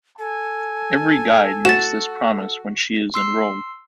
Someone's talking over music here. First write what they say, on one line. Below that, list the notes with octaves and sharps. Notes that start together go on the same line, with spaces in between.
Every Guide makes this promise when she is enrolled.
A4 G#5
F#4 A6 E7
C6 E6 C7